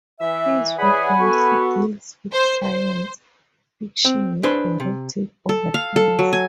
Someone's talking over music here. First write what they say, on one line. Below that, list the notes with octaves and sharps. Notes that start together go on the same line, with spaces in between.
His work mostly deals with science fiction with erotic overtones.
E3 E5
E3 G#4 C#5 D5 F#5 G#5 B5 D#6
B3 F#4 A4 C#6
C5
C5
C4
D4 G#4 B4 C5
C3
A4
F5
A4
F#3
G#5